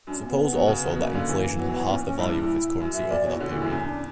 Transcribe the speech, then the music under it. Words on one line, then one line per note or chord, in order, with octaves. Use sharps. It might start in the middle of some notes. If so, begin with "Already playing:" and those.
Suppose also that inflation had halved the value of its currency over that period.
F#2 D4
C#4
A#2
B3
B2
C#3
B2
C#3 A#3
D3
E3
E3
F#3 B3
E3
B2
A#2 C#4
C#4
G2 E4
F#2
F#2 E5
A#2 D5
B2 C#5
E4
D3 F#4
A#2
F#2 E4
E2 C#4
D4